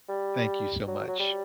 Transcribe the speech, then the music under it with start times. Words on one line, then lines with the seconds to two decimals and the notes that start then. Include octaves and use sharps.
Thank you so much.
0.09 G3
0.87 F#3
1.08 F#3
1.19 G3